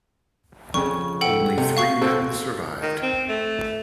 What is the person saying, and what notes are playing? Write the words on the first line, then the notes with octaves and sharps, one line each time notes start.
Only three men survived.
F2 C#3 C#6
A4 F#5 G5
C3 A3
F5 C#6 C7
C4 F#4 A4
D#3
C4
A3